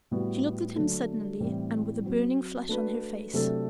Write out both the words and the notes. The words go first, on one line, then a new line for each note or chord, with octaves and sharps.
She looked at him suddenly, and with a burning flush on her face.
A2 G3 B3 F#4
D3 F#3 A3 D4
A2 E3 G3 C4
F#3 C4 F#4
A3 D4 F#4 B4
C3 F#3 A3 D4 A4